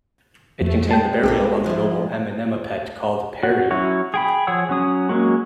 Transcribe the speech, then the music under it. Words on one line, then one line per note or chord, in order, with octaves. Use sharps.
It contained the burial of the noble Amenemopet called Pairy.
F2 A3
G#3 G5 A5
B1 G4 A4 A#4
F3 E4
F#4
F#3 C#4 E4 F#4 C#5
G#4 G5 B5
F3 G#4 C#5 F#5 E6
F#3 C#4 D#6
F#3 G#3 A#3 C#4 F#4